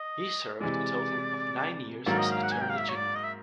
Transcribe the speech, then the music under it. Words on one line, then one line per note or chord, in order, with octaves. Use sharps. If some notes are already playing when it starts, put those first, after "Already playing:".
He served a total of nine years as Attorney General.
Already playing: D#5
C3 E3 G#3 D5
G#2 D#3 F#3 A#3 A4
D#5
F5
F#5
G#5
G5
F5
E5
C#5
D5
D#5
E5